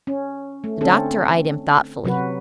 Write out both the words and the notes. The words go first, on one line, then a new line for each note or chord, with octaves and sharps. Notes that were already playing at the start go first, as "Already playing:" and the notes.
The doctor eyed him thoughtfully.
C#4
A3
D3 C4 C#4 A4
C3 F#3 F#4 B4